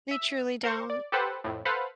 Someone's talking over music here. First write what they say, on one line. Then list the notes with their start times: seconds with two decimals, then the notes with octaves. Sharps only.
They truly don't.
0.11 E5
0.64 A#4 C5 C#6
0.90 D5
1.12 G4 A4 B4 C5 F#5
1.44 F2 A2
1.65 A4 B4 C5 F5 F#5 B5